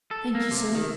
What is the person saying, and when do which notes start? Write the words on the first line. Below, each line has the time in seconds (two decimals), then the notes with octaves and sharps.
"Thank you, sir."
0.11 A4
0.35 A#3
0.51 C3
0.75 D#3